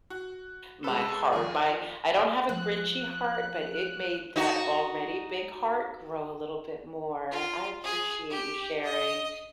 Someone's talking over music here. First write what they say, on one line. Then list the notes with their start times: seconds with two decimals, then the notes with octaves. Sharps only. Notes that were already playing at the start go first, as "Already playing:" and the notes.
my heart. My I don't have a grinchy heart, but it made that already big heart grow a little bit more. I appreciate you sharing,
0.10 F#4
0.84 G#3 A4 B4
1.33 D#2 F3 G#4
2.49 F3 F#6
4.36 D#4 F#4
7.31 F4
7.83 G#4
8.30 G4
8.84 D#5